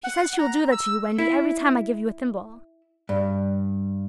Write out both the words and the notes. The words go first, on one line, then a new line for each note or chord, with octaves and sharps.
"She says she will do that to you, Wendy, every time I give you a thimble."
F#5
A#5
E6
E4
G2